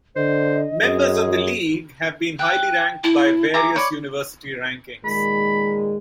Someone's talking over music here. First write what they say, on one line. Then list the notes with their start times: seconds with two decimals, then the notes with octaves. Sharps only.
Members of the League have been highly ranked by various university rankings.
0.16 D3 C5 D#5
0.83 F#2 G#4
2.39 G5 F#6
3.04 E4 A5
3.54 G#4 E5 A#5 D6
3.76 C#5 D5 B5 D6
5.05 A#2 D#3 G#3 B5